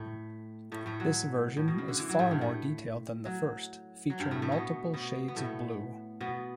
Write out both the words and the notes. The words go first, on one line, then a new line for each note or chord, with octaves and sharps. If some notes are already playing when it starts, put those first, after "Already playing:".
This version is far more detailed than the first, featuring multiple shades of blue.
Already playing: A2 A3
A2 A3
A2 A3
F#3
A2
B2
C#3
D3
E3
F#3
A2 A3
G2 G3
A2 A3
F#3
F#3
G2 G3
A2 A3
A2 A3
B2 B3
B2 B3
B3
A2 A3
B2 B3